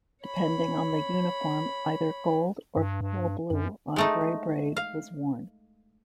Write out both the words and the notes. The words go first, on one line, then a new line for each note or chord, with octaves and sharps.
Depending on the uniform, either gold or pale blue on grey braid was worn.
C#5 B5
G2
G2
F#2
G#3 A3 D#4
F5